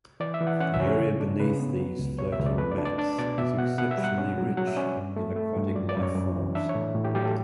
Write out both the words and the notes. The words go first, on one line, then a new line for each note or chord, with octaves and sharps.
The area beneath these floating mats is exceptionally rich in aquatic lifeforms.
E3 D5
E5
E3
F#5
C#4 F#5
E5
C#4
C#5
C#3
D4
C#3 B4
B3
F#3
C#2
B2 C#5
E5
C#2
D5
A3 B4
D5
D4
D5
D4 D5
B2 D5
B2 E5
B2 F#5
B2 F#5
E5
G3
F#5
C#4
F#3
F#3 F#5
E5
C#4 D5
G2
A3
A3
G2
F#2 D5
D5
F#2
C#5
F#2
E3
D4 E5
C#5
A2
A2
G4
F#3 G4
A4